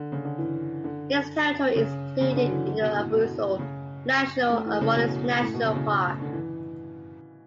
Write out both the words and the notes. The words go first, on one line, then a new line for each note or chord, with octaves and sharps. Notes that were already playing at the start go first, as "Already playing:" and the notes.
Its territory is included in the Abruzzo, Lazio and Molise National Park.
Already playing: D3
C#3
D3
E3
D3
C#3
C#3
C#3
D3
F#3
E3
D3
B2
A2
B2
C#3
A3
E3
C#3
B2
A2
B2
C#3
B2
C#3
D3
E3